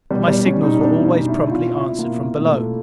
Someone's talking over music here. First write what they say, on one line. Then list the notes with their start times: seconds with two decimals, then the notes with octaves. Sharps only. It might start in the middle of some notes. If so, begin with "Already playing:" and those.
But my signals were always promptly answered from below.
0.11 B2 G3
0.27 B2 G3
0.46 B2 C#4
0.63 B2 D#4
0.81 B2 D4
0.98 B2
1.04 D#4
1.16 B2
1.28 B2 E4
1.51 B2 F4
1.69 B2
1.74 E4
1.87 B2
1.99 A#3
2.04 B2
2.21 B2
2.39 B2
2.45 A3
2.57 B2